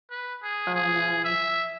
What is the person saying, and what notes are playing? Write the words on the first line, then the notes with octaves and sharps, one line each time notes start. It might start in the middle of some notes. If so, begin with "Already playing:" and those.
Oh no.
B4
G#4
G#4
E5